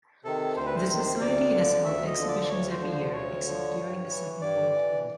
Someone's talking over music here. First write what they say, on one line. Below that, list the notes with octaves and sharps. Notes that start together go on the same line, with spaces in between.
The society has held exhibitions every year except during the Second World War.
C3 D#3 A4
D2 C5
B4
C5
C3 D#3
D2 D5
D3 F3
D2 E5
D#5
D3 F3
D5
D5
D2 C#5
C5
D3 F3
C5
D2 C#5
D3 F3
G2
E3
G2 D5
E3